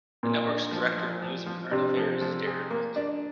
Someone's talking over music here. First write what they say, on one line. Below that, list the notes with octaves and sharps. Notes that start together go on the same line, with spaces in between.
The network's Director of News and Current Affairs is Darren Wick.
A#2 A#3
D4
F3
F3
F3
F3
C3 D4
F3
F3
G#4
A#3
D4